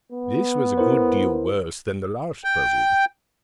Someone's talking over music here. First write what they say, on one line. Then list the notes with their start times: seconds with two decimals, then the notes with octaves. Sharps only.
This was a good deal worse than the last puzzle.
0.12 B3
0.78 E4 A#4 C5
2.44 G5